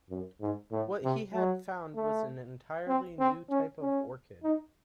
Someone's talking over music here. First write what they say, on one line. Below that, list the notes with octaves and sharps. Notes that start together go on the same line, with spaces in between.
What he had found was an entirely new type of orchid.
F#2
G#2
A2
C3
F#3
A3
C4
C4
C#4
C#4
D#4